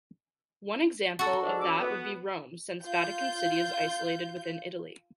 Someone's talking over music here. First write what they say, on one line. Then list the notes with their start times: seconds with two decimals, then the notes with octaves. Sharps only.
One example of that would be Rome since Vatican City is isolated within Italy.
1.19 F#4 A4
1.42 G#2 D4
1.60 C#4 D6 E6
1.79 B3
2.82 F4 G6